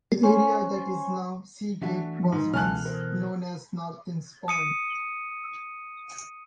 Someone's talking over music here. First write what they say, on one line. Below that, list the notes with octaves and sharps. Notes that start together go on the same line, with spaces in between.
The area that is now Sea Gate was once known as Norton's Point.
C#4 C5 C#5
E3 A3 D4 F#4 E5 A5
G#2
C#2 B2 E3 A4 G#5 A5 F6 F#6
A#4 C5
D#6 C#7 D#7